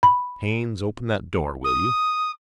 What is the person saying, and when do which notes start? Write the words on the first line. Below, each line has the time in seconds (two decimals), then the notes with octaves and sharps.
Haines, open that door, will you?
0.03 B5
1.64 D#6